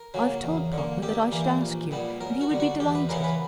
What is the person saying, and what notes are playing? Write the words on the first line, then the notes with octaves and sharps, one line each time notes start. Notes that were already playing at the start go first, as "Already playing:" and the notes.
I have told Papa that I should ask you, and he would be delighted.
Already playing: A#4
C#3 F#3 A#3
E2
D3
A#3
G2 G4
E3 A#3
A#1
A#2 G3 B3
F#2 A#4
F#4
D3 G3
F#4
E2 G4
B4
C#3 E3 B3 A#4
B4